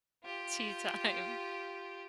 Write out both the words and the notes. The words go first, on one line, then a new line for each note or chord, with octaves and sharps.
tea time.
F4 G4